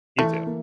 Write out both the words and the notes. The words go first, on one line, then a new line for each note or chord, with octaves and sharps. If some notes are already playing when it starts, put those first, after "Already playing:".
You too.
E3 A3
A#3